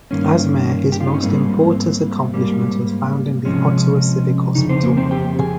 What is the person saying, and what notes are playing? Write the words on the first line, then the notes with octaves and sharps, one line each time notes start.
As mayor his most important accomplishment was founding the Ottawa Civic hospital.
G2 D#3 A#3 C#4
G4
F4
D#4
C#4
G#2 G3 A#3 C4
G#2 G3 A#3
C3 F3 G#3 C#4
F2 C#3 D#4
C4 C5
A#3 A#4
C4 C5
G4 G5
G#4 G#5